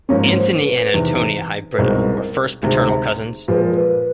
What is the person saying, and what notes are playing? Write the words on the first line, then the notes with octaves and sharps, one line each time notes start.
Antony and Antonia Hybrida were first paternal cousins.
G#2 F3 A#3 C#4 C#5
C5
A#4
B4
E2 C3 D#3
B4
C2 B2 G#3 C4 D#4 A#4
D2 C3 D#3 G#3
A#2 F3 G#3 B4
A#4
B4